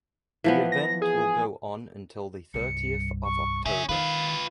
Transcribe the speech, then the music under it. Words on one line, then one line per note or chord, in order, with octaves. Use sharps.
The event will go on until the thirtieth of October.
E3 F3 B3
A#6
G#4
C2 G2 C#7
C#6
C#3 C#4 G#4 E5
D#3 F4 B4 F5